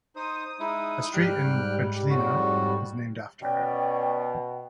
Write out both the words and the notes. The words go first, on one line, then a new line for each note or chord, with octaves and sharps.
A street in Bijeljina is named after her.
D#4 C5 D#6
G#3 D#4 E4
G#2 G3 G5 F6 F#6
F2 A2 F#4
B2 C#4 D5 G5